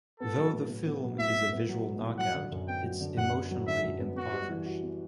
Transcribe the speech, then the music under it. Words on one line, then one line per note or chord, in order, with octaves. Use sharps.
Though the film is a visual knockout, it's emotionally impoverished.
B3 A4
F#3
A2
A2
B3
F#3
A2 E5
A2
B3
F#3
A2
A2
F#3 F#5
D3
F#2
B3 G5
F#3
D3
F#2 F#5
B3
F#3
D3 E5
F#2
B3
B3 F#4
G3
E3
F#4
B3